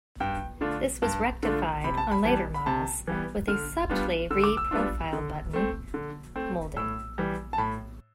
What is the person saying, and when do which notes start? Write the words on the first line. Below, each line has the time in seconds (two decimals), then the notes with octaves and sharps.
This was rectified on later models with a subtly re-profiled button moulding.
0.20 G2 G5
0.61 D3 A3 D4 F4
1.02 G2 A5
1.43 D3 A3 D4 F4
1.84 C3 B5
1.97 A5
2.12 B5
2.25 E3 G3 B3 A5
2.54 B5
2.66 C3 A5
3.08 E3 G3 B3
3.48 D3 F6
3.89 G3 B3 D4 F4
4.31 D3 E6
4.44 D6
4.57 E6
4.71 G3 B3 D4 F4
5.13 D3
5.53 A3 C4
5.94 D3
6.36 A3 C4
6.77 A2 E6
7.18 E3 G3
7.53 A5
7.58 A2 B5